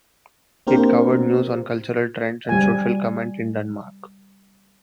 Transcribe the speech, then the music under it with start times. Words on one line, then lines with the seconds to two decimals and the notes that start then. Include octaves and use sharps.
It covered news on cultural trends and social comment in Denmark.
0.67 A#3 C4 D4 G4 A#4 C5
2.49 G3 G#5